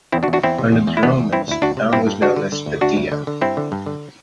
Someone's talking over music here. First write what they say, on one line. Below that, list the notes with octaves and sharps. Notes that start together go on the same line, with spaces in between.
Under the Romans, the town was known as Beatia.
E2 C4 E4
D4 F#4
E2
D4 F#4
E2 C4 E4
C3
E2
E2
E4
E2 B3 D4
E2
E3 C4 E4
D2 E4
D2 D4 F#4
C3
G2 C4 E4
G2
D3 D4 F#4
D3
D3
D2
D2 D4 F#4
D2
D3
D3
G2 C4 E4
D3
G2
D3